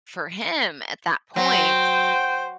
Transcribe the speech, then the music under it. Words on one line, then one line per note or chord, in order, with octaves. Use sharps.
for him, at that point
F#3 C5 G5